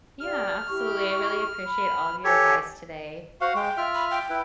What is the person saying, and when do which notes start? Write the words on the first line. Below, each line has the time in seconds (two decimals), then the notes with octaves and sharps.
Yeah. Absolutely. I really appreciate all of your advice today,
0.20 G4 D5 F6
0.68 E4 G4 C#6
1.65 B5
2.24 G4 A4 C#5 G#5
3.41 F#4 C5 F5 F#5
3.55 G#3 G5
3.77 F4 E5 F6
3.95 B5
4.11 G5
4.30 E4 B4